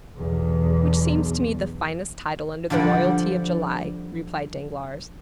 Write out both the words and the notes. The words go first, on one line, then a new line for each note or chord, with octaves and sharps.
"Which seems to me the finest title under the royalty of July," replied Danglars.
B1 E2
D3 F3 G3 D5 F#5